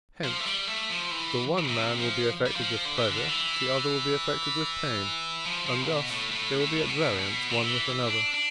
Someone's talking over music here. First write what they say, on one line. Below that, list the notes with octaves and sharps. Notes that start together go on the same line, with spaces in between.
Hence the one man will be affected with pleasure, the other will be affected with pain, and thus they will be at variance one with another.
F3
A3
G3
A3
F3
E3
C3
F3
G3
F3
D3
E3
D3
E3
F3
F3
B2
A2
A2
A2
A2
B2
B2
D3
E3
D4
D4